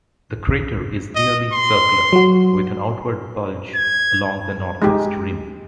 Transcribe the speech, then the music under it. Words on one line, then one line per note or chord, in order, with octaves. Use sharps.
The crater is nearly circular, with an outward bulge along the northeast rim.
D#5
C6
F#3 F#4
G#6
G#3 D#4 G4